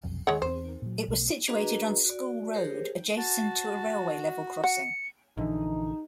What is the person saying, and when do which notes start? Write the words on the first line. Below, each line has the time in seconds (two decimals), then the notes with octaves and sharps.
It was situated on School Road, adjacent to a railway level crossing.
0.04 F1 B1 F2
0.27 D#2 D#3 G#3 C#5 F#5
0.42 E2 C4 C5
0.82 A#2 F#3
1.08 B1 B2 A3
1.48 D4 F#4 G#4 B4 D#5 A#5
2.05 F#4 D5
2.53 G4 G#4 A#4 C5 C#5
3.17 F#4 A5
4.64 F#5 C#7
5.37 A#1 D3 E3 D#4